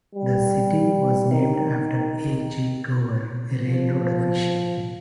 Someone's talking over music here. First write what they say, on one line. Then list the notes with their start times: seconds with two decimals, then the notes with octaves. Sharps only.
The city was named after A. G. Gower, a railroad official.
0.15 G3
1.31 D#3
3.63 F3